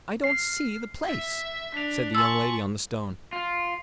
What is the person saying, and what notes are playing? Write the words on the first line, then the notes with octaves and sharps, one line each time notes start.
"I don't SEE the place," said the young lady on the stone.
F6 C7
E5
D4 B6 F7
G#5 A5 C6 C#6 E6 F#7
F4